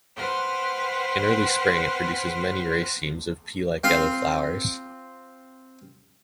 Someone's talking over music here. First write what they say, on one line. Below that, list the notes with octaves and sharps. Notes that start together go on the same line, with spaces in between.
In early spring it produces many racemes of pea-like yellow flowers.
B4 C5 F#5 G5 F6
C4 F4 F5